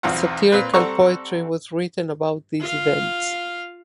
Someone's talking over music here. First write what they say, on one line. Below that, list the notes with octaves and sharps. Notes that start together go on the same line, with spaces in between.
Satirical poetry was written about these events.
B1 E2 C4 F4 F#5
A#2 C4 B4
G3 C4 A4 F#5 A#5 C#6
F4 F5